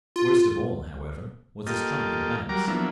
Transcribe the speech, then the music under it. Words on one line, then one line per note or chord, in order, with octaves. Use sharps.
Worst of all, however, was the strike in the banks.
F4
A#3 F4 G4 A4 D#5
F#3 G3 A#4 A#5 D6
F3 F#3 A#3 B3 D4 E4